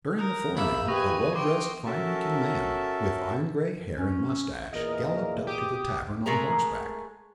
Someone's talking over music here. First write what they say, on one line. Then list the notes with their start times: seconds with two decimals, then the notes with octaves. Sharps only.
During the forenoon a well-dressed, fine-looking man, with iron-gray hair and mustache, galloped up to the tavern on horseback.
0.18 A#4 D#6 F#6 G6
0.57 A#1 A#2 F3 E4 B5 E6
0.88 G4 B4 G#5 C#6 D#6 A#6
1.35 B3 G5 C6 D6
1.86 C#4 F#4 A4 A#4 E5 A5
3.97 C#4
4.73 E2 A#2 G#4 A#4 D#5
5.47 G4 D6 D#6
6.26 G#3 A3 G#4 A#4 A#5